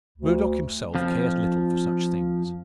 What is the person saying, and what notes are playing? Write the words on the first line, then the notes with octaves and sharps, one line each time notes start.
Murdock himself cares little for such things.
D2
F2 F3